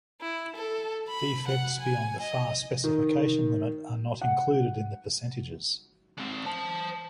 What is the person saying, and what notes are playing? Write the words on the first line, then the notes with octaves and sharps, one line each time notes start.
Defects beyond the far specification limit are not included in the percentages.
E4
A4
B5
F#5
G#5
D#5
D#3
F#5
G#3 C4
C5 A5